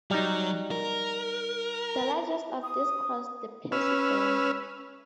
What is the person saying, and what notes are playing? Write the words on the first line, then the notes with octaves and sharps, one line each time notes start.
The largest of these crossed the Percy Burn.
F#3 G3 D#4
A#4
D#6
C#4 B4 E6 F6